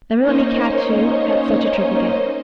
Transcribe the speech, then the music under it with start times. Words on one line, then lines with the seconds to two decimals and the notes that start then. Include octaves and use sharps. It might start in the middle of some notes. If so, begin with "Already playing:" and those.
Never let me catch you at such a trick again.
0.19 A#3 C#4 D#4 C5 C#5 D#5